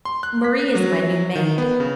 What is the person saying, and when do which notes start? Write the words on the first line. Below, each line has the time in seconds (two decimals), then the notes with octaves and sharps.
Marie is my new maid.
0.05 C6
0.23 F#6
0.44 B6
0.75 F#3
1.35 D#3
1.58 B3
1.80 C#3